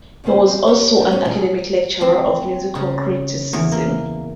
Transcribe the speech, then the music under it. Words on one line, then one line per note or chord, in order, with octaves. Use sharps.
He was also an academic lecturer of musical criticism.
F2 C#3 A#3 B3 C5 G#5
E2 C4
G4 A#4 C#5 E5 F#5
G#2 F3 D4
G#2 B3 C#4 C5 C#5
B2 D#3 F#3 G#3 D4 G#4
C4
C#3
E2
A#3